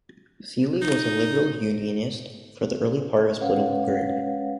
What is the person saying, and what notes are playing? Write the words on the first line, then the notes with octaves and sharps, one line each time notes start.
Seely was a Liberal Unionist for the early part of his political career.
D#4
G#3 C#4 B4 C#5 F5 F#5